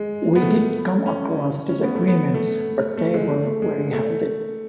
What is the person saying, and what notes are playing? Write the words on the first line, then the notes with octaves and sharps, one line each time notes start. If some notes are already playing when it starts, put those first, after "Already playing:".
We did come across disagreements, but they were very healthy.
Already playing: G#3
B3
A3
C#4
C#4
B3
A3
B3
A3
A3
G#3
A3
A3
G#3
A3